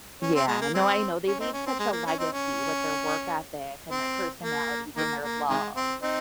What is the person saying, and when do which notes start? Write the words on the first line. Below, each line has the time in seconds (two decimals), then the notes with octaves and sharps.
Yeah, no, I know, they leave such a legacy with their work ethic and their personalities and their love.
0.22 C#4
0.35 C4
0.47 G#3
0.61 A#3
0.74 G#3 C4
1.27 C#4
1.40 C4 D#4
1.53 C#4
1.66 C4
1.79 G#3
1.93 A#3
2.06 C#4
2.19 C4 D#4
2.33 C#4
3.91 C4
4.43 A#3
4.97 D#3 A#3
5.23 A#3
5.49 C3 D#3 G#3
5.76 C4
6.02 C4 D#4